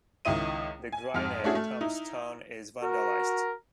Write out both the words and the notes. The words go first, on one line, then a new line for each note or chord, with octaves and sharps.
The granite tombstone is vandalised.
C#2 D#3 E4 D#5 D#7
G#5
F2 G#2 F6
A3 C#4 D4 E4 F#4 G#4
A3
D#4 E4
F#4 A#4